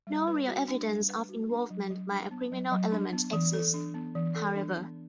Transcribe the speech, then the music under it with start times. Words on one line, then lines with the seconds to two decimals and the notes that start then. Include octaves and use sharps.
No real evidence of involvement by a criminal element exists, however.
0.07 G3
0.27 B4
0.47 F#4
0.68 D4
0.89 G3
1.09 B4
1.29 F#4
1.50 D4
1.70 F#3
1.90 F#3
2.11 D4
2.31 B3
2.52 F#3
2.72 F#3
2.92 D4
3.13 B3
3.33 E3
3.53 A4
3.74 D4
3.94 B3
4.15 E3
4.35 A4
4.56 D4
4.76 B3